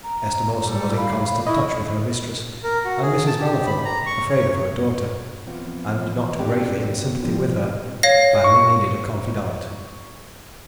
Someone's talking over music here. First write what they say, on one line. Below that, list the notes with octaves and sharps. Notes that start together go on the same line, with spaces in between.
Esther Mawson was in constant touch with her mistress, and Mrs. Mallathorpe, afraid of her daughter, and not greatly in sympathy with her, badly needed a confidante.
A#5
G3 A4
F5 B5
E4 D#5 B5 C#6
A#4
F#4
G#4
A5
G4
B5
A#5
C#6
C#5
E3 F3 B3 C4 E4 F4
C4 D4 F4 G4 A4 F5
B2
D#3 F3 G3
C#5 F5 A#6
C#6